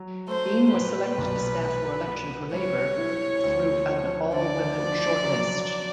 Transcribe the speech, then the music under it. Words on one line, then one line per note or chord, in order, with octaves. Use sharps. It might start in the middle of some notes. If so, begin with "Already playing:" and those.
Dean was selected to stand for election for Labour through an all-women shortlist.
Already playing: F#3
A3 C5
A#2 B4
B1
B3
B3
G3 C#5
E4
D2
F3
D3 D5
F3
F#3